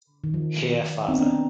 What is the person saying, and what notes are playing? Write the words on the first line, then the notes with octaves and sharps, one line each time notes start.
Here Fr.
D#3
F3
C4 D#4
B3 D4